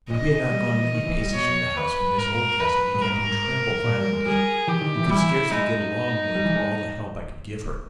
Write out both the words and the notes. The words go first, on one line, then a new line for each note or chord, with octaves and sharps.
But we had not gone many paces from the house when Miss Oldcastle began to tremble violently, and could scarcely get along with all the help I could give her.
A#2 D#5
C#3
G3
G3
E3
D#3
E3
G3
B2 C#5
B4
G#2 A#4
B4
G#2
G2 A#4
G#2
G2
G#2
A#2
G3
G#3
G3 G#4
E3 G4
D#3
E3
G3 E4
E3
G#3 D#4
G3
E3
G#3